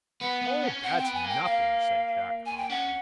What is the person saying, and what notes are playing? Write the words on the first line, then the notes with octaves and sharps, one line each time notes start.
'Oh, that's nothing,' said Jack Hopkins.
B3 F#5
B3
C#4
C4 F#5
G5
B3
G#5
A#3
G5
F5
G#5
G5
C#4 F#5